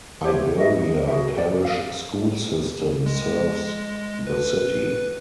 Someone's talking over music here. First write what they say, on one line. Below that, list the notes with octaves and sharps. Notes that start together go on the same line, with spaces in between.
Iberia Parish School System serves the city.
G4 C5 C#5 E5
F#4 D#5 E5
D#5
F#4 G#4 E5
D5
F5
G#3
B4